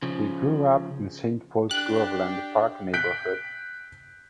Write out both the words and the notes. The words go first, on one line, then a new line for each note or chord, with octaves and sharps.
He grew up in Saint Paul's Groveland Park neighborhood.
C#3 F3
D4 G4 F#6
F#6 G6 B6 D7